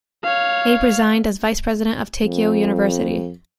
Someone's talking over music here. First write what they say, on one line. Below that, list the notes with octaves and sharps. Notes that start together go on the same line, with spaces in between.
Abe resigned as vice-president of Teikyo University.
C#5 F5
F2